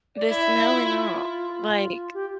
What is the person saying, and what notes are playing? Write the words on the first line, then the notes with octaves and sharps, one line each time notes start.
The smell and all, like
D5
E4
E5
F4
G4